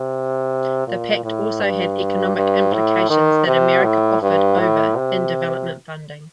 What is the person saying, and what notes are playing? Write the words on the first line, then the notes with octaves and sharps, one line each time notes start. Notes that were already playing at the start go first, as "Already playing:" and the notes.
The pact also had economic implications that America offered over in development funding.
Already playing: C3
A#2
A2
G2
G2
A2
D#3
C3
A2
G2
A2
C3